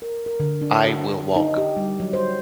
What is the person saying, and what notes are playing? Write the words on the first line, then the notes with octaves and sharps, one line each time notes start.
I will walk
A#4
A#4
D3
D4
F#4
D#4
G4
G3
F#3
C5